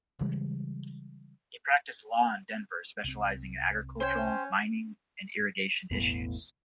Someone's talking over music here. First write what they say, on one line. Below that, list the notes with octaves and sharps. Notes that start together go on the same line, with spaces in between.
He practiced law in Denver, specializing in agricultural, mining, and irrigation issues.
C#3 E3 G3 G#3
C2 C4
C#4 C5 C#5 G5 G6 G#6
E1 A1 A2 B3